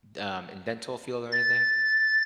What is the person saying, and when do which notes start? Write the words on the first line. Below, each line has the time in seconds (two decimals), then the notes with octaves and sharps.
d um, in dental field or anything?
1.32 A6